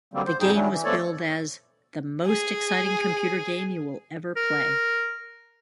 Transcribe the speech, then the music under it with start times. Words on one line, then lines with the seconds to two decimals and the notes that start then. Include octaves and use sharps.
The game was billed as "the most exciting computer game you will ever play".
0.14 D3 F#3 G3 A#3 C4
0.26 C5
0.40 F2 G#2 G3 D#4 G#4 G5
0.54 D#3 F#3 G3 C#4 D4 E4
0.71 E3
0.85 F3 A3 B3 A4 C#5 D5
2.26 G#4
4.36 A#4